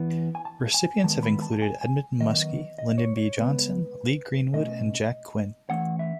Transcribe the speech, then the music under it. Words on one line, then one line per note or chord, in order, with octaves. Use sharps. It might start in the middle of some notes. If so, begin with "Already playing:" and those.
Recipients have included Edmund Muskie, Lyndon B. Johnson, Lee Greenwood, and Jack Quinn.
Already playing: E3 B3
G#5
A5
G#5
D#3 G#3 B3 A5
B5
A5
A5
G#5
G#5
D#3 F#3 B3 D#5
D#5
C#5
C#5
C#3 G#3 B3 B4
B2 A3 C#4 D#5
E3 A3 C#4 F#5
E5